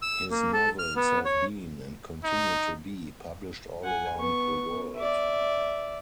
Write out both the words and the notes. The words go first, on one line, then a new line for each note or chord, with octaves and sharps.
His novels have been, and continue to be, published all around the world.
E6
A#3
A4
F6
B3
C#5
D#4
F#5 G#5
B3 C#6
D5 E5